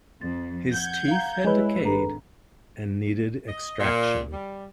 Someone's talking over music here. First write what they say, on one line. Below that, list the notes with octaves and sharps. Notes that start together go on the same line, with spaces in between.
His teeth had decayed and needed extraction.
F2 A6
F#5 G6 G#6
F5 A#5
G#3 E4 B4 C#5 D#5 G#5
G#1 D4 A4 A#5
D#5
A#2
G3